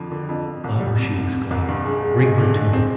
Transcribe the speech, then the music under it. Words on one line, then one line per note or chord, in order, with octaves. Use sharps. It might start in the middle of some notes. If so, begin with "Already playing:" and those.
"Oh!" she exclaimed, "bring her to me!"
Already playing: F2 D3 F3
D3
F2
F2
C2
G3
C3
C3
C3
C2
G2
G#3
G#3
G#3
D3
G#3
C4